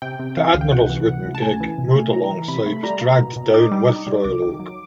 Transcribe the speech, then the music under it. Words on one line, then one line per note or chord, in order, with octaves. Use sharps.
The admiral's wooden gig, moored alongside, was dragged down with "Royal Oak".
C3 G5
C3
E3 F5
C#2
G5
C3 F#5
E3
C3
C#2
A5
A3 G#5
E3
C3
A3
E3 A#5
E3
C3 B5
A3
G3 A#5
A#3
B2
B2
D#4 D6
G3
D#4
G3
C2 D6
D#3
F#3